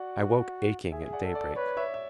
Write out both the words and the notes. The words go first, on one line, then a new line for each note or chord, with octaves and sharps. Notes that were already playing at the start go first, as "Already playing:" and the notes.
I woke aching at daybreak.
Already playing: F#4 D5 F#5
G#4 E5 G#5
D5 F#5
A4
D5
B4 C#5
C#5 E5
E5